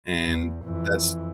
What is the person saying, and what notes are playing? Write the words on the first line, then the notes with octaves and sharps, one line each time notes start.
and that's
E2
F2 E3